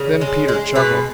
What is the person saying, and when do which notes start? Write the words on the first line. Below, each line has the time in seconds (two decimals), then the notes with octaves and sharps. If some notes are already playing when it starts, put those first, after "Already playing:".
Then Peter chuckled.
Already playing: C#3
0.21 G#3
0.48 G#3
0.75 B2 B4